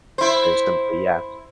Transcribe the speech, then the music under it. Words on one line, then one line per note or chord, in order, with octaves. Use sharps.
very simply yeah.
E4 C5